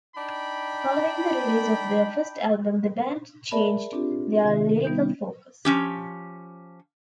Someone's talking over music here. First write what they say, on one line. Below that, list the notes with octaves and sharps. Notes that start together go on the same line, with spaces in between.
Following the release of their first album the band changed their lyrical focus.
D4 D#4 G5 B5
G#4 A#4 D5 E5 A5 B5
C4 D4 F4 G4
C3 D#3 E5
G3 B3 D#4 G6
F3 C#4 G4